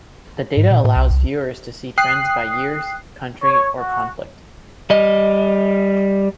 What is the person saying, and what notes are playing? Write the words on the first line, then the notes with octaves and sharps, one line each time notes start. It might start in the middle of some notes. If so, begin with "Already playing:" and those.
The data allows viewers to see trends by years, country, or conflict.
G#2
A#2
A2
C2
C2
G5 D#6 F#6 C7
C#5
F#4
G3 D#5